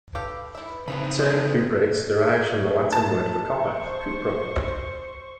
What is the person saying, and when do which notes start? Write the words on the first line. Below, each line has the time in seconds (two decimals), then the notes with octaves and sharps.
The term cuprates derives from the Latin word for copper, "cuprum".
0.15 G4 A4 B4 F5
0.55 E4 E5
0.88 C#3 B3 C4 D#4 A4 B4 B5
1.20 G#3 C5 D#5
2.93 A5
3.50 C5 C#6